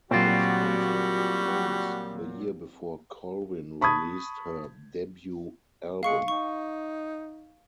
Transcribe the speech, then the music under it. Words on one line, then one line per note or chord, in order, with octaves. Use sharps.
This concert took place the year before Colvin released her debut album.
A#2 F#3 G3 C4 F4 F#4
A5 B5 C#6 D#6 G#6
G#3 F5 C#6 C#7
D#4 C#6